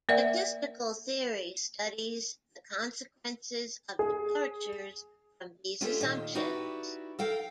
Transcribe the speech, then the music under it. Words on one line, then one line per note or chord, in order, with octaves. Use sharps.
Statistical theory studies the consequences of departures from these assumptions.
A#3 A#4 D5 E5 F#5
G#4
A3 C#4 D4 F4 G4 A4
A#2 D#3
D#4 E4 F#4 G4 B4 D5
A4 A#4 F5 G5